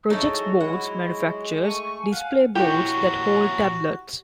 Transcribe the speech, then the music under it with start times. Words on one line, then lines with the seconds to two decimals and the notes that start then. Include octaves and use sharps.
Projex Boards manufactures display boards that hold tablets.
0.10 F#3 D#4 E4 G#4 A4 C#5
0.60 G#3 E4 F#5
1.64 A3 G#5 C#6
2.12 F5 F#5
2.55 A#2 E4 F#4 G4 C#5